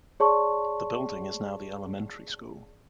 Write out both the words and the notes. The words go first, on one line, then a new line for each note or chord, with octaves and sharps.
The building is now the elementary school.
G#4 C#5 D5 A5 C6 C#6